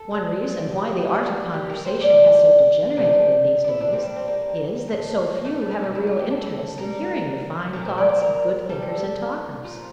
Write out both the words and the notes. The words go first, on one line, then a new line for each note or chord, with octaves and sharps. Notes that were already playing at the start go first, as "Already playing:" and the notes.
One reason why the art of conversation has so degenerated in these days is that so few have a real interest in hearing the fine thoughts of good thinker and talkers.
Already playing: A4
D3 A3
F4
G4
D3 A3
G4
A#4
C5
A2 G3 D5
C3 F3 A3 D5
D4
E4
D4
A2 G3 C4
D4
C4
A#3
A2 F3 A3
A#3
A3
A3
C3 E3 G3 A#3
E4
F4
G4
A4
D3 G3 A#4
A#2 A3 A#4
C5
D5
C5
A#4
C3 G3 A4
A#2 F3 A3 F4